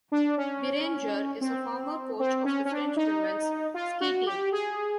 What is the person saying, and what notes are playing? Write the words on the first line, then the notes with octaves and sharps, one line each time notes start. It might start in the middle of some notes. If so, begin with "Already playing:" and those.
Beranger is a former coach of the French women's ski team.
D4
C#4
C4
C4
C#4
C#4
D4
D#4
F4
F#4
G4
G#4